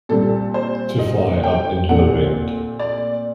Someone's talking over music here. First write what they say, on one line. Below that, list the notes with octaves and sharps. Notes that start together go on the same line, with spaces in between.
To fly up into the wind.
A#2 G3 C4 A4
C5
D#5
G5
A#2 A3 C4 F#5
D5